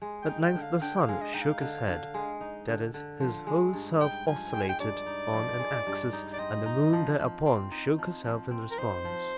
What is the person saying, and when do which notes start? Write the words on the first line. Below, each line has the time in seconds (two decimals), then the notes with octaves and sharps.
At length the sun shook his head; that is, his whole self oscillated on an axis, and the moon thereupon shook herself in response.
0.02 G#3
0.23 G5
0.29 D#4
0.42 G5
0.55 D3
0.62 F5
0.82 D3 G5
0.97 G5
1.01 F5
1.08 G#3
1.22 D#5
1.34 D#4 G5
1.42 F5
1.61 D3
1.88 D3
2.14 G#3
2.41 D#4
2.68 D3
2.94 D3
3.20 F3
3.47 G#3
3.73 G2
4.00 D#4 G5
4.26 F3 G#5
4.53 G#3 G5
4.62 G#5
4.69 G5
4.80 G2 D5
5.06 D#4
5.33 F3
5.59 G#3
5.87 G2
6.13 D#4
6.33 D5
6.39 C4 D#5
6.66 D#4
6.93 F3
7.19 F3
7.46 C4
7.71 D#4
7.99 F3
8.24 F3
8.51 C4
8.71 A#4
8.78 D#4 C5
9.05 F3